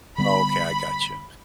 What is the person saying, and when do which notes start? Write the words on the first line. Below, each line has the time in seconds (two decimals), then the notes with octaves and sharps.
Okay, I gotcha,
0.18 D3 G3 B3 B5